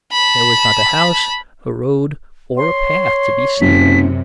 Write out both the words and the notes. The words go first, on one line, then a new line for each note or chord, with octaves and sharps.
There was not a house, a road, or a path to be seen.
A5 B5
C#5 C6
F#1 F#2 C3 B6